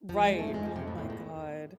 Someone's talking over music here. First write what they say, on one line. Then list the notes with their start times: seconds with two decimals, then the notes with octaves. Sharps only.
Right. Oh my god.
0.09 E2 F3
0.24 G#3
0.39 A3
0.44 G#2 F3
0.54 F2 G#3
0.65 F3
0.76 C3
0.88 A2
0.98 E2 A2
1.10 A2